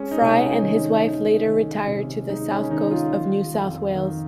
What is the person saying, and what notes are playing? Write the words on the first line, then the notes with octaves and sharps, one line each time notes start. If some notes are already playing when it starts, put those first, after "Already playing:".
Fry and his wife later retired to the South Coast of New South Wales.
Already playing: G#3 C#4
D#4
C3 C#4
D#3 D#4
D#3
D#3
C3
G#3 D#4
C#4
D#3 D#4
F4
D#3
F2
D#3